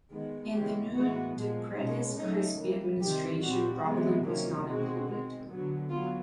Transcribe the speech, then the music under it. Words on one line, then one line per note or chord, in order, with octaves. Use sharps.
In the new Depretis-Crispi administration Robilant was not included.
D#3 G#3 B3
C#3 E3 G#3 B3 G4
A2 E3 G#3 B3 F#4
A#2 F3 G#3
B2 G#3 C#4 D#4
C#3 F#3 A3 C#4 D#4
E3 G3 A#3
C3 D#3 G3 C4 G4
A#2 G3 C4 F#4
C3 E3 G#3 B3
C3 D#3 F#3 A#3 C#4
B2 G#3 C4 F#4
D#3 G#3 C4
D3 F#3 B3
F#3 B3 F4